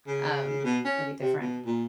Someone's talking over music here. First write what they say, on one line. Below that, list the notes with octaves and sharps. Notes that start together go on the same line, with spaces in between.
Um, it'll be different.
C#3
B2
C#4
C3
B2
A#2